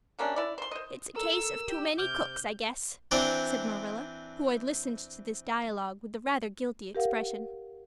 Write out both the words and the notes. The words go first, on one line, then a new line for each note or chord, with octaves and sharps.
"It's a case of too many cooks, I guess," said Marilla, who had listened to this dialogue with a rather guilty expression.
C3 A#3 C#4 D4
E4 D5
C5 C6
C5 D#5
A4 A#4 E6
G4
C3 D6 F6 G6
E3 C4 D4 C5 D5
G4 A#4 F5 F#5